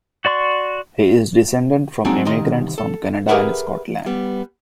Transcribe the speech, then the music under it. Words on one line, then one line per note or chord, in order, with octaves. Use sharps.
He is descended from immigrants from Canada and Scotland.
F#4 D5 C6 C#6
F#3 G#3 C4 D4 D#4 F#4
C2 D#3 D#5 C6
A4
G4 G#4 A#4 B4 E5 F#5
G3 B3